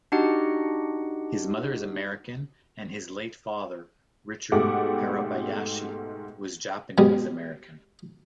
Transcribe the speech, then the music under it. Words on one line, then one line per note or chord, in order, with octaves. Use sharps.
His mother is American and his late father, Richard Hirabayashi, was Japanese American.
D4 D#4 F#4 G4 D#5 F#5
G#2 B2 A3 G4 F#5 D6
B2 G3 G#3